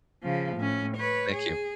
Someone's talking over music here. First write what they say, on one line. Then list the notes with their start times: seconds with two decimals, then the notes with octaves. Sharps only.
Thank you.
0.23 C#3 F3
0.56 A2 C#4
0.96 B4 C#5
1.34 G#4